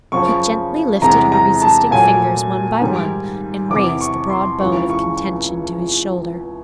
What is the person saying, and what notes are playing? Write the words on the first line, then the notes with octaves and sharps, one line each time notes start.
He gently lifted her resisting fingers one by one and raised the broad bone of contention to his shoulder.
F#2 C#3 F3 C#6
E2 C3 E3 G#3 A#5
A#5
A5
A#2 F#3 A3 G#5
G#2 D#3 G3
E2 C3 E3 D6
C#6
C6
C#2 C#3 E3 C#6
C#6